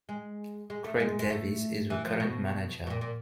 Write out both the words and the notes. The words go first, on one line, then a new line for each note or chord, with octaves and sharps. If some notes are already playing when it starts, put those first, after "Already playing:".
Craig Davis is the current manager.
G#3
G#3
A3
G#3
G#3
A3
E3
F3
B2
B2
A#2
A#2